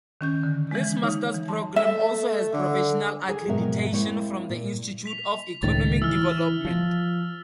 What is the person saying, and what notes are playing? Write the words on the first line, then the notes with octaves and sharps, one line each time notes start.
This Masters programme also has professional accreditation from the Institute of Economic Development.
D#3 C#4 G6
D3
E3 G#3
D#4 C#5
E3
A5 C6
A3 E5
D3
G#4 A4 C#5 G#5
F2 G#2 B2 F#3 A#4 E5
G#3 A#3 C4 E4 C5 C#5
A#2
B6 F7
C#2 A2 D#3 A6
E3 E6 F6
F3